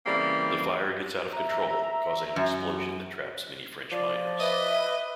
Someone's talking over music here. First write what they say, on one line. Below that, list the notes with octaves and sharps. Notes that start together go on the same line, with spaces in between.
The fire gets out of control, causing an explosion that traps many French miners.
C#3 E3 G3 A#3 C4
E5 A#5
F#2
F3 D5
B4 D#5 E5